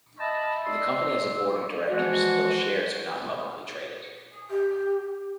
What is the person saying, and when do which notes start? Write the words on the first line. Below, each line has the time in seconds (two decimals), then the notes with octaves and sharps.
The company has a Board of Directors though shares are not publicly traded.
0.19 D#5 E5 A5 B5
0.65 D5 D#5 C6 E6
1.88 E3 F3 G#3 F#4
4.50 G4